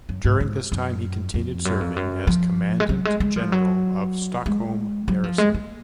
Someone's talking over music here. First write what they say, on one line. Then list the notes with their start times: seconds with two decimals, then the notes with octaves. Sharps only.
During this time he continued serving as Commandant General of Stockholm Garrison.
0.09 F#2
0.25 G#2
0.40 G#2
0.72 F#2
1.34 F2
1.65 F#2
1.81 F2
1.96 F#2
2.27 F3
2.80 G#3
2.89 F#3
3.05 G#3
3.20 G#3
3.36 F3
3.52 F#3
4.46 G#3
5.08 F#3
5.24 F3
5.38 G#3
5.54 A#3